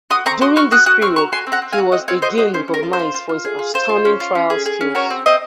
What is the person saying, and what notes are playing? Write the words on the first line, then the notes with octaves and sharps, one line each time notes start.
During this period, he was again recognized for his outstanding trial skills.
F#4 C6 D#6
C4 A#5 C#6
F#4 C6 D#6
F#4 C#6 F6
F#4 D#6 F#6
F#4 D#6 F#6
C4 C#6 F6
F#4 A#5 C#6
F#4 G#5 C6
C4
F#5 A#5
C4
F5 G#5
F#4
C4 D#5 F#5
C4 C#5 F5
F#4 C5 D#5
F#4 C5 D#5
C#4 C5
C#4
A#4
F4
C5
F4
F4
F4
G#4
F4
F4 C5
F4
C#4
F4
C#4
G#4
G#4
C#4
F#4 A#4 C#5
C4
C4 C5 D#5